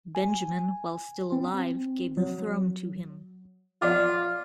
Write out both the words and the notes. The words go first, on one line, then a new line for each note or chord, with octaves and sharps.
Benjamin, while still alive, gave the throne to him.
G#5
C4
F#3
F4 D5 F#5 D6